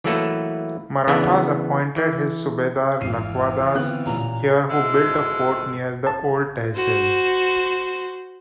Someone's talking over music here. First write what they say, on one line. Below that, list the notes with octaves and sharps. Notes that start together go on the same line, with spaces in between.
Marathas appointed his subadar Lakwadads here who built a fort near the old tehsil.
E3 F#3 A3 A#3 A4 B4
C#3 E3 B3 D4
E3
G#1 F2 G#2 E3 F4 C7 D#7
D3 B3 C4 F#6
A1 A#2 A#5
B2 D3 F3 G#3 E4 A4
A5
F#4 C5